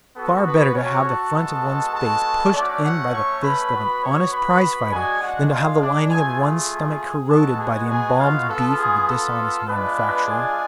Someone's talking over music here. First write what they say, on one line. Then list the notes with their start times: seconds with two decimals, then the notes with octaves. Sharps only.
Far better to have the front of one's face pushed in by the fist of an honest prize-fighter than to have the lining of one's stomach corroded by the embalmed beef of a dishonest manufacturer.
0.16 B3 F#4 A4
0.46 B3 B4
0.75 C#4 C#5
1.05 A4 A5
1.35 G#3 B3 F#4
1.94 A4 A5
2.54 A3 C#4 D4 F#4 D5
2.84 F#4 F#5
3.13 C#5 C#6
3.43 B4 B5
3.73 B3 F#4
4.03 C#5 C#6
4.33 B4 B5
4.92 G#3 D4 F#4 G#4 G#5
5.22 F#4 F#5
5.52 F4 F5
5.81 D4 D5
6.11 A3 F4 G#4 G#5
6.41 G#4 G#5
7.29 G#3 B3 F#4 A4 A5
7.59 G#4 G#5
7.89 G#4 G#5
8.19 F4 F5
8.49 B3 F4 A4
8.78 G#4
9.08 A4
9.67 G#3 B3 D4 F4 B4
10.27 G#4 G#5